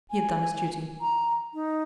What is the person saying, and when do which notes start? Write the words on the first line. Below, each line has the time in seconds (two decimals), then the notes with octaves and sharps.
He had done his duty.
0.10 G#5
1.01 A#5
1.54 D#4